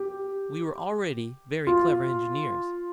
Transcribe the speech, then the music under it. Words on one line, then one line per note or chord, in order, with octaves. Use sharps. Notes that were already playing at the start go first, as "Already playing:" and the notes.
We were already very clever engineers.
Already playing: G4
F4